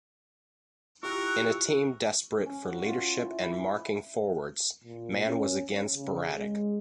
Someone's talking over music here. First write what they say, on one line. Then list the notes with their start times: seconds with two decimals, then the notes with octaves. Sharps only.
In a team desperate for leadership and marking forwards, Mann was again sporadic.
1.03 E4 F4 G4 A#4 C#6 E6 F#6
2.46 C#4
2.66 F#4
2.86 F4
3.17 E4
3.43 B5
4.84 A#2
5.25 C#4
5.94 C#3
6.37 G#3